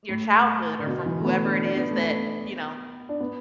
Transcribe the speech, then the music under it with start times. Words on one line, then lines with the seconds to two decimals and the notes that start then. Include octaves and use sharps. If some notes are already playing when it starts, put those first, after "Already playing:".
your childhood or from whoever it is that, you know,
0.09 A2
0.79 D3
0.87 B2
1.06 E3
1.20 A3
1.25 B3
1.45 D4
1.64 D4
1.76 B3
1.90 A3
2.03 B3
3.09 D4
3.20 B3